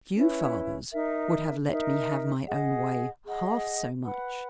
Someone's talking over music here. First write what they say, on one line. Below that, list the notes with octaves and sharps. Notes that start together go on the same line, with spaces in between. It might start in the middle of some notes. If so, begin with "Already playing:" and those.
Few fathers would have let me have my own way half so much.
C#4 E4 B4
D#4 A#4 E5
D#4 A#4 E5
G#4 D#5 F#5
G#4 D#5 F#5
B4 F#5 B5